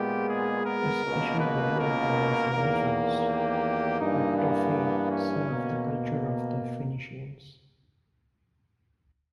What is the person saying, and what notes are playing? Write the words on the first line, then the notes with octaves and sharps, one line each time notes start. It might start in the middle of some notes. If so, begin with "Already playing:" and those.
A special burial ground for infants, a "tophet" served the culture of the Phoenicians.
Already playing: A#2 G#3 B3 G4
G#4
A#4
C#2 B2 A#3
B4
A#4
E2 D#3 A#3
G4
G2 E3 A#3 D#4
B3
C#4
B2 A#3